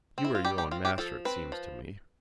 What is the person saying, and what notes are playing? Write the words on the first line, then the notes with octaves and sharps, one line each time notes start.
You are your own master, it seems to me.
C4
E4
F4
G3 G4
G4
C4 F4
G4
F3 A4
C4 B4
F3